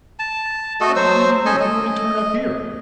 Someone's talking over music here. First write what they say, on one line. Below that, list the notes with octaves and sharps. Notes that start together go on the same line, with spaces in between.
What would you do if he were to turn up here?
A5
A3 F#4 A4 D#5
F#3 C5 E6
C#4 A4 D#5 G#5
D#5